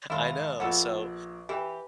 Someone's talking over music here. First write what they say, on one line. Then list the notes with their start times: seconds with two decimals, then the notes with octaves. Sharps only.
I know. So,
0.10 D#2 G#2 E4 F4
0.60 A#1 A#2 B3 A4
1.49 E3 G4 B4